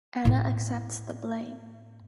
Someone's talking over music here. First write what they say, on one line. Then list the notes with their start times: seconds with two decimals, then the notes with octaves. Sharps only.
Anna accepts the blame.
0.25 A2 E4